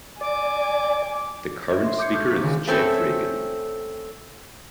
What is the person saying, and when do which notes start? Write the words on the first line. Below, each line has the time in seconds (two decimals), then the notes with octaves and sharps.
The current Speaker is Geoff Regan.
0.21 D5 G#5 D6
1.70 A#4 C#5 D#5 E5
1.84 C6
1.98 D6 D#6 G6 G#6 C7 C#7
2.12 A4 C#6 D6 F6 G6
2.30 E1 A#3 C4 G6 B6
2.43 C#2 D#3 G#4
2.68 A3 C4 C#4 A4